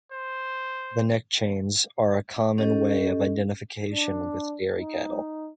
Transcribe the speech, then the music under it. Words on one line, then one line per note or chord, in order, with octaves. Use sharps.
The neck chains are a common way of identification with dairy cattle.
C5
C#4 G4 A4 D#5
D4
D#4